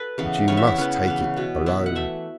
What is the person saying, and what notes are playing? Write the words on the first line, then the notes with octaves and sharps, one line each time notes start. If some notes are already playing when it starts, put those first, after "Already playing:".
But you must take it alone.
Already playing: A4 B4
C#3 E3 B3
C#3 E3 B3 C#5
E5
E4
C#3 E3 B3 C#4
C#3 E3 B3
B2 B3
B2 B3 E4
F#5
E3 A3 E5